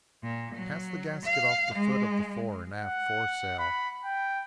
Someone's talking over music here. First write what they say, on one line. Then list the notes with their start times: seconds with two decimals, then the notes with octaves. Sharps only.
"Cast the gasket off the foot of the fore and aft foresail."
0.23 A#2
0.55 F#3
1.25 F5
1.75 G#3
2.76 F#5
3.59 B5
4.05 G5